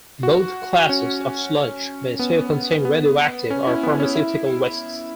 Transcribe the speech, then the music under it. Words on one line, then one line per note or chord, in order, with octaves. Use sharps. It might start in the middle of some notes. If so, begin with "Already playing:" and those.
Both classes of sludge may still contain radioactive or pharmaceutical wastes.
F#4
C#4
B3
B3
C#4
E4
B3
C#4
E4